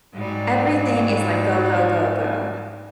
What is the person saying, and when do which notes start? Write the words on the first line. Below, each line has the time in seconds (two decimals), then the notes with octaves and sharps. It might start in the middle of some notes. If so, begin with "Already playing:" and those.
Everything is, like, go, go, go, go.
0.14 G#2 F#3 G3